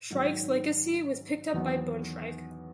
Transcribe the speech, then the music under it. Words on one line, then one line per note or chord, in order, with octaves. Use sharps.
Shrike's legacy was picked up by Boone - Shrike.
G#2 D#3 F#3 C#4
E2 D#3 F#3 B3